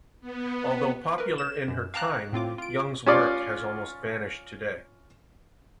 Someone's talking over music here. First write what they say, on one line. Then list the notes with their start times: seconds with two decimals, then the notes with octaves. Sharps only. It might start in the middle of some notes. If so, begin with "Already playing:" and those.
Although popular in her time, Young's work has almost vanished today.
0.21 B3
1.18 A#4 B4
1.38 E7
1.68 F#2
1.94 F5 G5 A5 A#5 D6 F#6
2.33 A2 C4 F4 D6
2.58 F4 D7
3.06 C#4 F4 D5